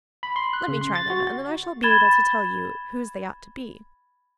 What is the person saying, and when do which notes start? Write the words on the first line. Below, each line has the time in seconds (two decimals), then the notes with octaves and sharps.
'Let me try them, and then I shall be able to tell you whose they ought to be.'
0.23 B5
0.36 C6
0.53 F#6
0.68 C#3
0.81 C6
0.95 A6
1.10 F#4
1.83 B5 G#6 A6 E7 G7